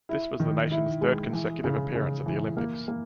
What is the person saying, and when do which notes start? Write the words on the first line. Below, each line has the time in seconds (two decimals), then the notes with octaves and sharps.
This was the nation's third consecutive appearance at the Olympics.
0.09 E4
0.40 D#3
0.71 E4
1.01 G#3
1.33 E3
1.64 C#3
1.95 C#3
2.26 E3
2.57 A#3
2.88 A#3